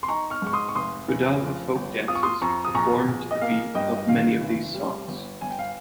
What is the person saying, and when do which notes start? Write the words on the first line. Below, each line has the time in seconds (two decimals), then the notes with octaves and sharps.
Kodava folk dances are performed to the beat of many of these songs.
0.03 C6
0.08 D#4 A#5 C#6
0.30 C#6 F6
0.42 G#2 C#6
0.53 C6 D#6
0.69 C#6
0.75 F1 C6 D#6
1.08 F1
1.42 F3
1.75 G1
2.08 F4 D#6
2.15 C#6
2.23 C6 D#6
2.42 F2 A#5 C#6
2.65 D#6
2.74 A#1 A#5 C#6
3.08 A#1
3.31 D#5
3.41 A#3 F5
3.75 G2 D#5 G5
3.96 D#5
4.08 D#3 F5
4.41 F1
4.74 G3
5.08 G1
5.41 G1 G#5
5.50 G5
5.59 F5